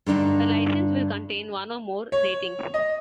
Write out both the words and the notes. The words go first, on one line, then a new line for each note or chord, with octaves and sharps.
A licence will contain one or more "ratings".
G2 D3 D4 D#4
C#5
D#5